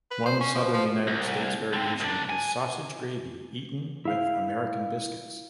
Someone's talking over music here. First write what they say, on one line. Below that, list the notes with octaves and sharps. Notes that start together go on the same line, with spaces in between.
One Southern United States variation is sausage gravy eaten with American biscuits.
B4
C5
C#4
F3
F3
C2
D3 C4
C2 D4
G#5
E4 F5